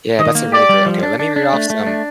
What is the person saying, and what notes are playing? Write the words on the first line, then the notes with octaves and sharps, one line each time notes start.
Yeah. That's a really great okay, let me read off some
D#3 D#5
A#3
G4 D5
G3
F3
D4
D4
D4
A3
A3
D4